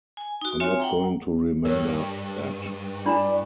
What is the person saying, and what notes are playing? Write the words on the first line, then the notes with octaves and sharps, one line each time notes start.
I'm not going to remember that.
G#5
D#4 F#4
C4 F4 C#5 E5 G#5 C6
F#5 G5 A#5
G2 A#4 C#5
D4 E4 D5 A#5 B5